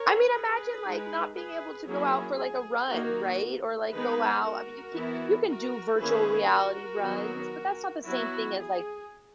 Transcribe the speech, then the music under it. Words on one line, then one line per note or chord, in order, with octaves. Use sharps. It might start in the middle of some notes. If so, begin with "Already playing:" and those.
I mean, imagine, like, not being able to go out for, like, a run, right? Or, like, go out I mean, you c you can do virtual reality runs, but that's not the same thing as, like
Already playing: A#4 C#5
G#4 B4
G#3 D#4
G#4 B4
F#3 A#3 C#4 E4 G#4
G#4
D#3 A#3 D#4 F#4 A#4
D#3 G#3 B3 D#4 G#4 B4
F#4 A#4
E3 B3 E4
F#4 A#4
D#3 A#3 C#4 E4 G#4 B4
F#4 A#4
D#3 F#3 B3
F#3 B3 E4 F#4
G#4